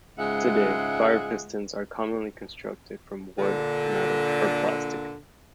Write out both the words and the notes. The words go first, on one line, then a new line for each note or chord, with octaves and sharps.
Today, fire pistons are commonly constructed from wood, metal, or plastic.
G#2 C#3 G#3 F4 E5 F#5
A#2 D3